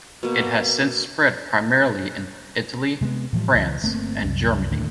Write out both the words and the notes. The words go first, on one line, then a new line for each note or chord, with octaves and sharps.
It has since spread primarily in Italy, France and Germany.
B2 A#3
C3 G#3 A3 B3
A2 E3 F3 G3
C#2 E3
G1 A3 A#3 C4
C2 F#2
D#2 A2 D3